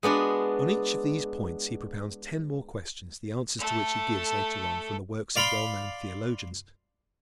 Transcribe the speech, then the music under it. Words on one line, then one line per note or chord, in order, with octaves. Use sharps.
On each of these points he propounds ten more questions, the answers to which he gives later on from the works of well-known theologians.
G#3 B3 D4 F#4
A3 A4
D5 F5 B5 C6